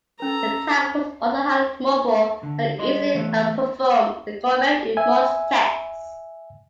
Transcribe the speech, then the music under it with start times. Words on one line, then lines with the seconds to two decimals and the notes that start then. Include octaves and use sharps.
The tank was also highly mobile, and easily outperformed the Comet in most tests.
0.20 C#4 A4 B4 A#5
2.43 D3
2.78 G3 G#4 D#5 C6
3.15 E3 A3 B3 A4
4.97 E5 G#5